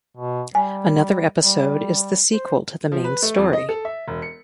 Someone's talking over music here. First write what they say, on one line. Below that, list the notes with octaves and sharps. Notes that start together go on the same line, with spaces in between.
Another episode is the sequel to the main story.
B2
G3 G#5
G3
C5
F3
B4
A3
F2
D#5
A4
E5
E1
C#7